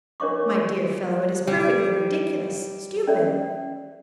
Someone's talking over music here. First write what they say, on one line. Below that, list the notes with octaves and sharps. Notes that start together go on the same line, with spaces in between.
My dear fellow, it is perfectly ridiculous--stupid!
D4 A#4 C#5 D#5 C#6 D6
G3
C#4 D5 E5